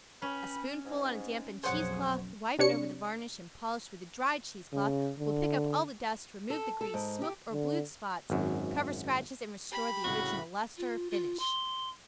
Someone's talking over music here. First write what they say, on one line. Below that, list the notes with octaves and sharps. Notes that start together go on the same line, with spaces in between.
A spoonful on a dampened cheese cloth wiped over the varnish and polished with a dry cheese cloth will pick up all the dust, remove the grease, smoked or blued spots, cover scratches and restore the original lustre or finish.
C#4 B4 G5 B5
G#2
B1 F2 C#3 F#3 G#4 C5 C#5 F#5
C3 D4 C#5 C#7
C#3
D3
A4
A4
G#2
G4
D3
G#1 F#2
G4 B5
C2 A2 C#3 F#4
F4
F4
C6